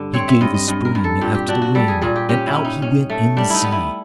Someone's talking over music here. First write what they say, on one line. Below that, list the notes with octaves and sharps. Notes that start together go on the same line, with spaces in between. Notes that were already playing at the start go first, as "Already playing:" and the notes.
He gave a spring after the ring, and out he went in the sea.
Already playing: G2 D3
C4 C#5
E5
G2 D#5
D#5
G2 D#5
A#4
G2
A4
A#2 G4
G4
D4 F#4
F#4
G3 A4
G#4
A#2 G#4
G4
C#4 G4
E4
C#4
D#4
C#4
A3
G3 D4
D#4 E4
B3
E4